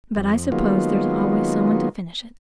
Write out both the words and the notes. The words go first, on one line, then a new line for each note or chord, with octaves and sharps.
"But I suppose there's always some one to finish it."
F2
D#3 F#3 G#3 A#3 B3 F4